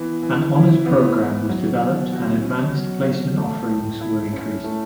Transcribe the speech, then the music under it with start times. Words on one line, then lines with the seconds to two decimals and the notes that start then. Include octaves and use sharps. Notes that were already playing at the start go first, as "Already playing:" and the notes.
An honors program was developed and Advanced Placement offerings were increased.
Already playing: E3 B3
0.23 E3
0.55 E4
0.86 B3
1.18 E3
1.49 F#3
1.81 B2
2.13 F#4
2.43 C#4
2.75 F#3
3.07 B2
3.38 A3
3.69 A2
4.01 E4
4.33 C#4
4.64 A3